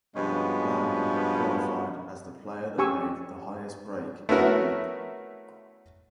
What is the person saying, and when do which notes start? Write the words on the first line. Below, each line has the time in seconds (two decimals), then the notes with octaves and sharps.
Leung qualified as the player that made the highest break in the group.
0.15 G2 B2 F3 G#3 B3 C#4
2.78 C#4 G4 G#5 C#6 E6
4.29 A3 B3 C#4 E4 F#4 A#4